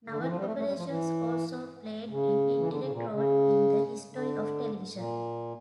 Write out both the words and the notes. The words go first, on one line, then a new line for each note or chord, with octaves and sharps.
Naval Operations also played an indirect role in the history of television.
D3
E3
F3
G3
A3
A3
G3
F3
E3
C#3
E3
D3
C#3
A#2
C#3
D3
A#2